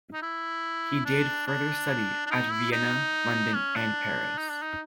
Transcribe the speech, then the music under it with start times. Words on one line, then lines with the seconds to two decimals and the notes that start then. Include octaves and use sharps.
He did further study at Vienna, London and Paris.
0.13 D#4
0.22 E4
1.06 D4
1.47 D4
2.26 D4
2.30 D#4
2.51 E4
2.72 D#4
3.54 C#4
3.76 D4
4.38 D#4
4.50 D4
4.62 D#4